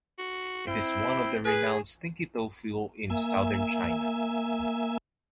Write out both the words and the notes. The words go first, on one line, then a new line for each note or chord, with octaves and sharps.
It is one of the renowned stinky tofu in Southern China.
F#4
C4 E4
G#4 B4
A#3 E5 G#5